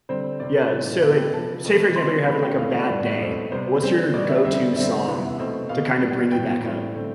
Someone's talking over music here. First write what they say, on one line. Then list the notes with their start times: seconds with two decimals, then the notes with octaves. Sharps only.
Yeah, so, like, say, for example, you're having, like, a bad day. What's your go-to song to kind of bring you back up?
0.09 D3 G3 C4 C5
0.40 C3 G3 C4 D5
0.71 A2 E3 B3
1.02 B2 B3 F5
1.18 G5
1.34 C3 F3 B3 A5
1.65 B2 A3 C4
1.96 B2 G3 C4 C6
2.27 B2 A3 C4 B5
2.43 G5
2.58 E3 A3 C4 F5
2.74 D5
2.90 A2 E3 G3 B3
3.20 B2 A3 C4
3.52 C3 G3 B3 C5
3.82 D3 G3 C4
4.14 B2 G3 B3 D5
4.29 E5
4.44 D3 G3 C4 E5
4.76 D3 G3 C4 E5
5.07 C3 E3 B3
5.38 B2 A3 C4
5.69 B2 B3 F5
6.00 E3 G3 B3
6.32 A2 E3 B3 G5
6.63 A2 G3 C4
6.94 D3 A3 C4